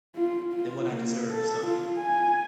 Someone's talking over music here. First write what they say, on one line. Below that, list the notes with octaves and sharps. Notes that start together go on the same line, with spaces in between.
than what I deserve, so
F4
F4
A#3
A4
F4
G#5